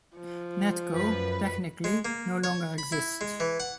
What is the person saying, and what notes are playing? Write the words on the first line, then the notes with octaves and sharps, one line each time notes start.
Netco, technically, no longer exists.
F3
F#2 B4
G#3
A#3
C#5
B5
E4
G#3
E3
F#5